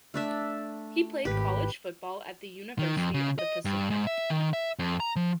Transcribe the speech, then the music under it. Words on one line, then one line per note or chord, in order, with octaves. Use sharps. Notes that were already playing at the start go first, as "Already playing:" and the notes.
He played college football at the University of the Pacific.
A3 D4 E5
G#1 G4 B4
D#3
F2
C#3
D#5
G2
G#2
E5
D#3
E5
F2
A#5
F3